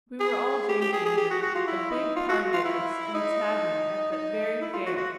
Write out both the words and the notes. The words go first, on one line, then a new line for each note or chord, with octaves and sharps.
We were all drinking then, a big party of us, in a tavern at that very fair.
G#4
G4
G4
G#4
G#4
G4
F#4
F#4
F4
E4
D#4
F4
F#4
F4
E4
D#4
D#4
E4
F4
F#4
F#4